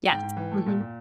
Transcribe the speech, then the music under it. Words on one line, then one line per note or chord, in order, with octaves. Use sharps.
Yes. Mhm.
G#2 G5
G#2
E3
A3
A#2
A#2